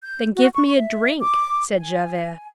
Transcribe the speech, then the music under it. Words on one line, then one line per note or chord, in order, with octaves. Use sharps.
"Then give me a drink," said Javert.
G6
F#4
C#6
E5
D6
G#5